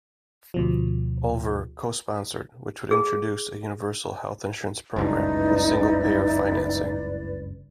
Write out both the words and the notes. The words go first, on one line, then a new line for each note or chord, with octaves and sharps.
Olver co-sponsored which would introduce a universal health insurance program with single-payer financing.
D2 B2 F3
G#4
F#1 C#2 G2 D#4 E4 B4 D5